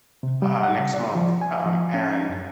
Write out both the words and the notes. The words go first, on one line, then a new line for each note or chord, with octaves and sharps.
uh, next month, um, and
C3
G3
F#5
C#3
D5
F3
G#5
F3
C#4
F#2